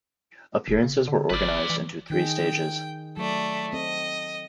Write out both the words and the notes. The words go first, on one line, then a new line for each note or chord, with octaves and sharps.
Appearances were organized into three stages.
F1
C#3
D3
G1 B4 D5
E3
D#3 D#4 G#4 G5
F#3 A3 D5
C4 A4 D#5